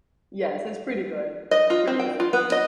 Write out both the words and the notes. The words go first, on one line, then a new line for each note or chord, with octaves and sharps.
Yes, so, it's pretty good. It's pretty good.
D#5
F4
C4
G5
F4
B3
D#5